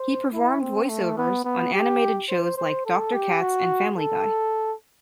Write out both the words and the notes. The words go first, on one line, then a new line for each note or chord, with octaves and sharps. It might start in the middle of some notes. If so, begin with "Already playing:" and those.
He performed voiceovers on animated shows like Doctor Katz and Family Guy.
Already playing: C5
E4
C4
A3
B3
B3
G4
C5
C5
A4
G4
F#4
A4